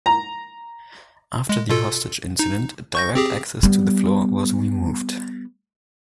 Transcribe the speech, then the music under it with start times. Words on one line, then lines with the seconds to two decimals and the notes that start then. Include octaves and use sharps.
After the hostage incident, direct access to the floor was removed.
0.06 A#5
1.49 G#3
1.69 B2 F4 A4
2.39 D#4
2.95 C#6 G6 A#6
3.15 C4 G4 G#4
3.63 G3 B3